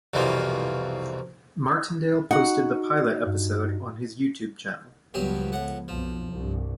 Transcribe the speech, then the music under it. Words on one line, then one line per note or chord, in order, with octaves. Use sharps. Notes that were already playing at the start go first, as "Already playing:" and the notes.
Martindale posted the pilot episode on his YouTube channel.
C2 F2 B2 E3 F3 A#3
D#4 F#4 F#5
G2
C#2 G2 F3 F#3 B3 G4
A2 F#5
B1 F2 F3
C2 G2